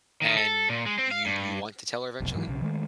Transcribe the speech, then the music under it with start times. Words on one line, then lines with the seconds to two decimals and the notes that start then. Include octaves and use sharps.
And you you want to tell her eventually?
0.22 D#3
0.37 A4
0.69 A#2
0.86 G#3
0.98 C4
1.11 F5
1.26 G2
2.20 F1 B1
2.35 G#2 E3 F#3
2.48 B1 C#3
2.62 D#3 G#3 A3